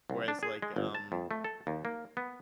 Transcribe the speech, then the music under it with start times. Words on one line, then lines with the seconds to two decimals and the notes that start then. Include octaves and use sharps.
Whereas, like, um,
0.10 C2
0.28 D4
0.43 G#4
0.62 G#3
0.76 G1
0.95 A5
1.12 F2
1.31 A3
1.44 A4
1.67 D#2
1.85 A#3
2.17 B3